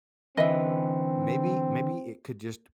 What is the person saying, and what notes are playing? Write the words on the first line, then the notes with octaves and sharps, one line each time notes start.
maybe maybe it could just
D3 E3 C4 B4 D#5 E5